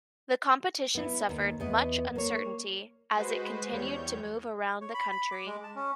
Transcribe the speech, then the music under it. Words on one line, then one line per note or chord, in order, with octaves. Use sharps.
The competition suffered much uncertainty as it continued to move around the country.
B3 E4
D#2
E2 B3 D#5
A#3 C#5
G#3 F#4 B4 C5
E2 G3 C#5 G6
C#5
B5
B5
D6
G#3
A5
C#4